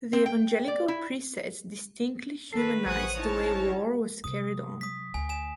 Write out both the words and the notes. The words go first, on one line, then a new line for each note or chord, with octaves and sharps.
The Evangelical precepts distinctly humanized the way war was carried on.
C4
G5
D5
E4
D#3 A4 B4 C7
A1 G#4 C5 F#5 C#6 D#6 F#6
C#4 D#4 E4 C#5 A5
C3 F#3 D#6
D#6 B6
D2 G#5
G#5 E7